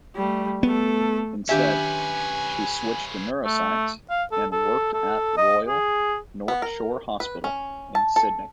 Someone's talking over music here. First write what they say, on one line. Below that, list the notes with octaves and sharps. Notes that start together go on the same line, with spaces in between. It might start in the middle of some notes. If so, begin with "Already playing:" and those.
Instead, she switched to neuroscience and worked at Royal North Shore Hospital in Sydney.
G3 A3
A3 B3 A4
D#3 C#4 D4 G4 B4 E5 F5 G#5
A3
F5
A4
A4
A4
D#5
G#4
B3
A#4
B4
C#4
A5
A4